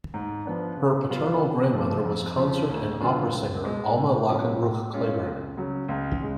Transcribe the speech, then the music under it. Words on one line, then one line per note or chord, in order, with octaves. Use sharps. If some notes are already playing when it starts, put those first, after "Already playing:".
Her paternal grandmother was concert and opera singer Alma Lachenbruch Clayburgh.
G#2
F3 B3 D4
C#3
F#3 B3 F4
C#3
F3 A3
F2
C#3 F3
D2
D3 F#3 B3 F4
C#2
B2 G#3
A2
F#3 C#4 F4
A2
G#3 C#4 F4
C#2
C#3 F#3
C#2
C#3 G#3